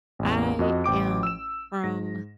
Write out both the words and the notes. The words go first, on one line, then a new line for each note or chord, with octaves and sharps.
I am from
A1 E2
F2 F#4 D#5
A1 G5 D6 D7
E6 E7
G#2 A#6